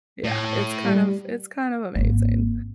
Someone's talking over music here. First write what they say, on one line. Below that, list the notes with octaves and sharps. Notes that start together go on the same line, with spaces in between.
Yeah, it's kind of it's kind of amazing,
A2
G3
G#1 A#3